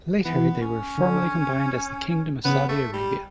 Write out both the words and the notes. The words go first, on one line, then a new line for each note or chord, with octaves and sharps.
Later they were formally combined as the Kingdom of Saudi Arabia.
E3 B3
C#4
D3
C#3 B3
A3
G3